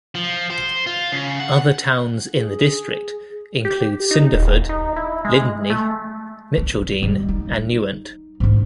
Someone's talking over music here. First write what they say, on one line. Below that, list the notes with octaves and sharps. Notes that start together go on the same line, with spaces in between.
Other towns in the district include Cinderford, Lydney, Mitcheldean and Newent.
F3
C5
F4
C#3
F#5
G#4
G4
D#4
D#1
D#4
E4
G#3
A3
E2
G3
D#4
G#2 D4